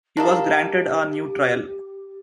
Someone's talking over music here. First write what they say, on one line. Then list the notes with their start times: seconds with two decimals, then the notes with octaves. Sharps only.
He was granted a new trial.
0.17 D4 D#4 G4 A4 A#4 D#5 F5